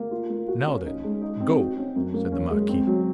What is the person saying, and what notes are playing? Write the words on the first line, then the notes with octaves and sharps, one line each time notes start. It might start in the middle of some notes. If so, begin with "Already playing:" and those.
"Now, then, go," said the marquis.
Already playing: A#3
F4
A#3
F#4
C#4
D#4
G#3
D#4
C4
F#4
C#4
F#2
A#3
C#4
G#3
C4
F#3